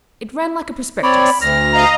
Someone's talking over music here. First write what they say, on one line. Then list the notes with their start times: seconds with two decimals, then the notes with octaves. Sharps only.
It ran like a prospectus.
1.03 C4 C#5 D5 B5
1.41 D2 F6 A#6
1.72 D#5 F5 A#5